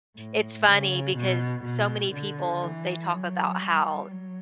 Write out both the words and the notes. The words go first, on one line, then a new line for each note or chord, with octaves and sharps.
it's funny because so many people, they talk about how
A2
C#3
B2
B2
D3
E3
F#3
G3
F#3